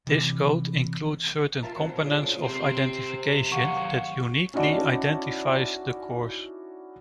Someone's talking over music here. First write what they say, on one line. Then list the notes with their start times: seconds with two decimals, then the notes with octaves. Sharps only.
This code includes certain components of identification that uniquely identifies the course.
0.07 C3 E3
1.62 A#3 C4 F4 E5 A5 A#5
1.76 F#3 C4
1.89 B2
2.03 C#4 D4 F4 G#4
2.23 D3 F3
2.44 C3 C4 C5
3.52 D#2 F#3 F5 F#5 C#6
4.54 C#4 D#4 E4 F#4 D5 A5